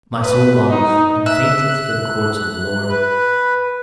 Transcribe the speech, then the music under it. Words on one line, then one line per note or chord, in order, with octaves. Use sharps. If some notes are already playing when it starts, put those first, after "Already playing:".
My soul longeth and fainteth for the courts of the Lord.
B4
D#4
E5 F#6
B4